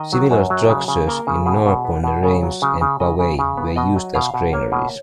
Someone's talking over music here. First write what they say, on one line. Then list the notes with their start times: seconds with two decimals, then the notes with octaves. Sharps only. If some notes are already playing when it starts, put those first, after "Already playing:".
Similar structures in Narbonne, Reims, and Bavay were used as granaries.
Already playing: D#3 D#5
0.13 F#3
0.31 F#2
0.50 F#3
0.69 C#3
0.88 C#3
1.07 A#3 A#4
1.27 C#3
1.46 B2 G#4
1.66 B2
1.85 B3
2.04 B2
2.23 C#3 C#5
2.43 F#3
2.62 C#3
2.81 C#3
3.00 C#3 D#5
3.19 C#3
3.39 C#3
3.57 B3
3.76 B2 D#5
3.96 F#3
4.14 B2 F5
4.34 B2
4.53 A#3 C#5
4.72 B2